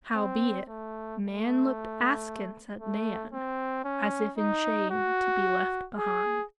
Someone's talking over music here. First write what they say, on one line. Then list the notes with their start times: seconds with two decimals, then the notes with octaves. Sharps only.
Howbeit, man looked askance at man, as if in shame to be left behind.
0.16 C4
0.68 A3
1.22 A3
2.79 A3
3.32 C4
3.85 C#4
4.38 D#4
4.91 F#4
5.96 G#4